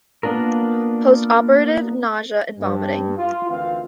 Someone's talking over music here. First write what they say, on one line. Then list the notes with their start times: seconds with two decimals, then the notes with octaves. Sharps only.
Postoperative nausea and vomiting.
0.23 A#3 B3 D4 F4 A#4
2.58 G2
3.18 F4
3.50 D2 D#3 E3 C4 F4 F5